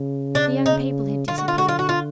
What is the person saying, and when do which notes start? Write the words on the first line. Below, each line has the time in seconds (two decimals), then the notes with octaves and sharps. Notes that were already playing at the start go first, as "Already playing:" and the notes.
The young people had disappeared.
Already playing: C#3
0.35 D4
0.66 D#4
1.27 D3 F4
1.38 F#4
1.48 F4
1.58 F#4
1.68 F4
1.79 F#4
1.89 F4